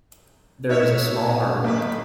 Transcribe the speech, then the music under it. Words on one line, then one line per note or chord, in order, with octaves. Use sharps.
There is a small harbour.
D#4 C#5 E5
D#3 A3 A#3 B4